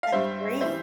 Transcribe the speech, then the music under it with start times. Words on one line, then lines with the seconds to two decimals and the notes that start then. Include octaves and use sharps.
That's great.
0.03 F5
0.12 G2 G3 C5 E5
0.61 E3 G3 C5 E5